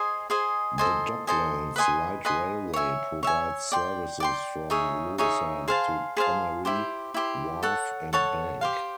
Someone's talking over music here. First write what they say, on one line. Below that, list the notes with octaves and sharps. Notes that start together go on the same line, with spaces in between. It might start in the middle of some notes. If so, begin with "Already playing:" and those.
The Docklands Light Railway provides services from Lewisham to Canary Wharf and Bank.
Already playing: G#4 C5 D#5 G#5
G#4 C5 D#5 G#5
A4 C5 D#5 G#5
A4 C5 D#5 G#5
B4 D#5 G#5 C6
B4 D#5 G#5 C6
C#5 E5 G#5
C#5 E5 G#5
D5 G5 C6
D5 G5 C6
D#4 G#4 C#5 E5
D#4 G#4 C#5 E5
G#4 C5 F5 A5
G#4 C5 F5 A5
E4 G4 C5
E4 G4 C5
A4 C#5 F#5 A5
A4 C#5 F#5 A5
G4 C5 F5